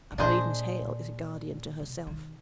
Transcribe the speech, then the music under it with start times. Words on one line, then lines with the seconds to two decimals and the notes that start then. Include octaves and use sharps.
I believe Miss Hale is a guardian to herself.'
0.12 G#2
0.18 A#2 D4 G#4 C5 D#5
1.79 C3
2.07 D#3